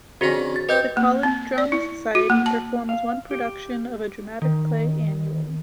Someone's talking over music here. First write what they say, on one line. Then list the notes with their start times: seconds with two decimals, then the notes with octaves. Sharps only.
The college drama society performs one production of a dramatic play annually.
0.21 F2 D3 C#4 F#4 G#4
0.56 A6
0.69 C4 G4 B4 D#5 G6
0.97 A#3
1.23 C4
1.58 D5
1.72 E4
2.15 F#4
2.30 A#3
2.46 A5
2.89 F5
3.31 G4
4.42 D#3